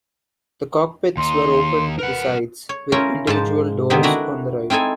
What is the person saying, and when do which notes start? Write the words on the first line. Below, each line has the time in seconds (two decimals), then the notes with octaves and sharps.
The cockpits were open to the sides, with individual doors on the right.
1.17 D#2 D#4 C6
1.99 A#4 B4 F#5
2.69 C#5
2.92 C#4 E4 F4 A#4 C5 C#5
3.27 G#2 F3 C5 A5
3.90 D3 D#3 B3 C4 D#4
4.03 D4 E4 F#4 B4 A#5
4.70 C4 D#4 E4 A4 G#5